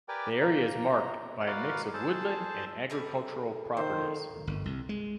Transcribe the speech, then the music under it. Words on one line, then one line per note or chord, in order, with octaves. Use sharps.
The area is marked by a mix of woodland and agricultural properties.
G4 A#4 B4 D5 G5 G#5
A#3 A#5
F#4 A#4 B4 D5 F5 F#5
G#4 A4 C5 A5
G3 G#4 A4
D#3 A4 C5
G1
C2
G#3